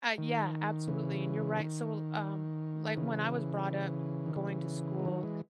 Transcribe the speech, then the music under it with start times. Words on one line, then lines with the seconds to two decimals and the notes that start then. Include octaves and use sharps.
Ah, yeah, absolutely, and you're right, so, l um, like, when I was brought up going to school,
0.18 D#3
0.88 C#3 E3
1.58 D#3
2.97 C#3 E3
4.26 D#3
4.36 C#3 E3
4.99 G#3
5.05 D#3 F#3
5.23 E3 G#3